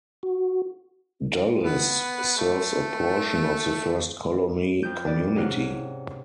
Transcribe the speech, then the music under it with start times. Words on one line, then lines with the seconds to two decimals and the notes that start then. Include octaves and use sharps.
Dulles serves a portion of the First Colony community.
0.23 F#4
1.64 B3
2.37 A3
4.83 F2 G6
5.05 D4 B4 D5
5.36 G#2 C3 C#4 F5 F#5